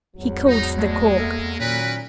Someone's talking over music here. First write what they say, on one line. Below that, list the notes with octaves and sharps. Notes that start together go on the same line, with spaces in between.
He called for the cork.
E2 G#2 F#3
D#4
G#3 A3 D5
A#3 A4 E5
A#2 D#3 F#3 C#4 A#4 B4